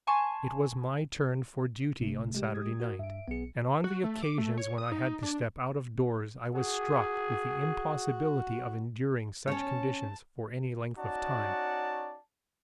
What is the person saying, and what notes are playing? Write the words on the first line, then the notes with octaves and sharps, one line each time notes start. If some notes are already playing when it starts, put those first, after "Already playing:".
It was my turn for duty on Saturday night, and on the occasions when I had to step out of doors I was struck with the impossibility of enduring such conditions for any length of time.
G#5 A5 C6 C#6
G1 C3 A3
G#3 G4
D#6 G#6
F#4 A#4
G2 E5 D7
B1 B3 G#4 C#7
F#4
A3
D6
A3
C#5
D#6
D#4
D4
F#4 G#4
C#4 C#5 A5
C#4 D#4 F#4 D5 F#5 A5